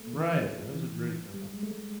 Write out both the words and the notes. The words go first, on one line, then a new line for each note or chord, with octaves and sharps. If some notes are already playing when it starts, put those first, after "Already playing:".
Right, that was a great example.
Already playing: A3 A#3
E3
F#3
F3
E3
F3
G3
G#3
A3
G#3